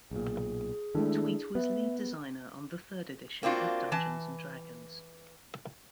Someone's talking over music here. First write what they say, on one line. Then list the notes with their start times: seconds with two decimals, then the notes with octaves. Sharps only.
Tweet was lead designer on the third edition of "Dungeons and Dragons".
0.11 B1 A#2 G#4
0.95 D#3 G#3 A3 D4 E4 A4
1.55 B3 B4 E5
3.43 A#3 C4 D4 F4 F#4
3.92 E3 A5